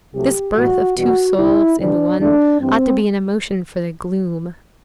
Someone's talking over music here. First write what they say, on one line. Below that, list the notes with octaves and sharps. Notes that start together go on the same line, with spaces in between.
This birth of two souls into one, ought to be an emotion for the gloom.
C2 C3 F#3 A3 G4
A2 E3 G3 F#4
E2 B2 G3 F#4
D2 C3 G3 E4
D2 C3 E3 G3 D4
E2 D3 A3 D4
G2 E3 G3 C4